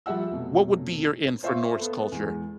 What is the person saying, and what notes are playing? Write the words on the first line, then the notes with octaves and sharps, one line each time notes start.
what would be your in for Norse culture?
F3 G3 G4 E5 F#5 E6
F1 B2 F#3
F4 C5 E5 F5 C#6
B3 A4
E2 G#3